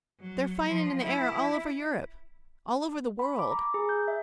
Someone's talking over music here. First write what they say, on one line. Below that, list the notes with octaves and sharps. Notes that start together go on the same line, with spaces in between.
They're fighting in the air all over Europe--all over the world.
F#3
F3
E4
B5
D6
A#5
G#4
G6
E5